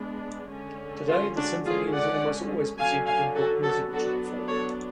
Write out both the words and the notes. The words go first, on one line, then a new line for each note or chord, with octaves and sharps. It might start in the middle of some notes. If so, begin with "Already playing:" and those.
Today the symphony is almost always presented in Bruckner's original form.
Already playing: G#3 B3 D4
D3 G#3 C#4
F4
D4 F#4
D3 G#3 C#4 F4 G#4
D5 F#5
D3 F#3 C#4 F5 G#5
F5 G#5
F#4 A4
F#4 A4
F#3 B3 D4 F#4 A4
A4 C#5